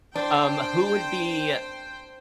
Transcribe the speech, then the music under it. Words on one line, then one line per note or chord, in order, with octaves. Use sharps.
Um, who would be
D4 C5 G5